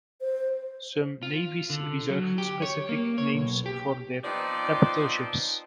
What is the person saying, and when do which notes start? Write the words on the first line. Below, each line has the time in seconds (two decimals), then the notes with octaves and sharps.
Some navies reserve specific names for their capital ships.
0.21 C5
1.23 F4
1.70 D3
2.10 F#3
2.38 G4
2.62 C#5
2.89 A#3
3.18 C#5
3.34 B1
3.66 G4
4.24 F3 B3 C4 D#4 D5